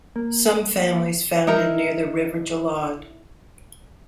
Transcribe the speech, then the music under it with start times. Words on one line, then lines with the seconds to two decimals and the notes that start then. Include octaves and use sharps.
Some families founded near the River Jalaud.
0.16 A#3
1.47 D#4 E4 A#4 A#5